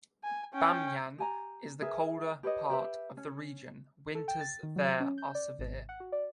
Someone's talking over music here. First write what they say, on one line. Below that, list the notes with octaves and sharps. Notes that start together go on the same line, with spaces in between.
Bamyan is the colder part of the region; winters there are severe.
G#5
C#4 G5
G4 G#5 A#5
G#4 A#4 B4 E5
G4 B4 C#5 D#5
G4 B4 E5
C#4
A4
G5
A6
D#3
F#3
C#4
G6
D5
G#1
F#5
F#4
D5